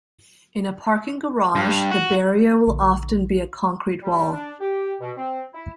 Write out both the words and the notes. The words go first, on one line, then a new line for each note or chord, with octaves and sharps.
In a parking garage, the barrier will often be a concrete wall.
G2
F#4
A#1 D3
G3
D4
G4
B2
C4
E4